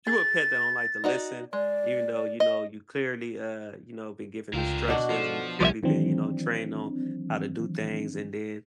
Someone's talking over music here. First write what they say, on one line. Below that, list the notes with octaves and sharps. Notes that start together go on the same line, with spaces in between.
you a pet that don't like to listen, even though, you know, you clearly, uh, you know, been giving instructions and you've clearly been, you know, trained on how to do things, and then,
G#4 A6
D#4 F#4 D5
G#3 D5
D#5
C#2 D3 F4 A#4 G5
B2 D4 F#4
F3 A4
C2 F3 G3 C#4 D5 E5
D#3 E3 F#3 C4 D4